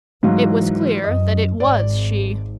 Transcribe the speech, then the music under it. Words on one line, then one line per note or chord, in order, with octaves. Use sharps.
It was clear that it was she.
G#2 E3 F#3 F5
F#2 D#5
G#1 D5